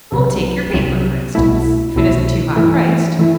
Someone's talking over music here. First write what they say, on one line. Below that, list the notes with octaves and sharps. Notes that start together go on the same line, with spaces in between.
"I'll take your paper, for instance--if it isn't too high priced."
C2 C3 F#3
C2 C3 F#3
C2 B2 A3 E4
C2 B2 A3 E4
G2 E3 A3 E4
E3 A3 E4